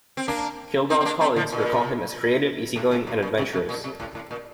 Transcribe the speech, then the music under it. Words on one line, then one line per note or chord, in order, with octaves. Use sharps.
Kildall's colleagues recall him as creative, easygoing, and adventurous.
C4
A#3 D4
C4 D#4
C4
A#3 D4
A3 C4
D3 F3
A#2
A2
A2
A2
A#2
C3
C3
A#2
C3
A2
A2
A#2